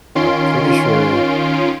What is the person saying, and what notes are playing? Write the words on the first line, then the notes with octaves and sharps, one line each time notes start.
I'm pretty sure
D#3 C#4 F4 C6 D7